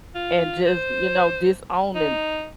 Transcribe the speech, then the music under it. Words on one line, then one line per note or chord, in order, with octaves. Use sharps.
and just, you know, disowning
F4
C5
D#4